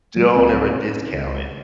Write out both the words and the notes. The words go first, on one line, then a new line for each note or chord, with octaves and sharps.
Don't ever discount it.
F#3
G#3
A#3
C#2 C4
C#3
C#2